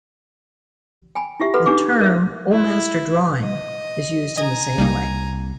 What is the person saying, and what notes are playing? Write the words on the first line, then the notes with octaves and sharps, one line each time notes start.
The term "old master drawing" is used in the same way.
G5 G#5 B5
E4 F4 G4 E5
F#4 A4 B4 F#5 B5
D4 D#4 G4 G#4 D6
A#4 E5
E4
D#5
D#5 G#5 A#5
C2 G3 A#3 D#4